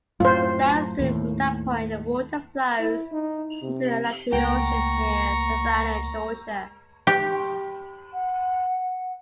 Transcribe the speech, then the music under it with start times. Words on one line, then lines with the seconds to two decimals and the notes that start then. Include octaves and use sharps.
Downstream from that point, the water flows into the Atlantic Ocean near Savannah, Georgia.
0.20 F#2 A2 F4 C5
0.99 D#2 A2
2.80 E4
3.12 D#4
3.62 C3
4.32 C#2 A3 A#3 F#5 G5 A#5 C#6
7.07 G4
8.13 F#5